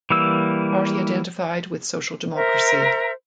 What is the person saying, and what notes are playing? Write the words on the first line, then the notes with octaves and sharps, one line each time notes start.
The party identified with social democracy.
E3 G3 A#3 E6
A#4 C5 E5 A#5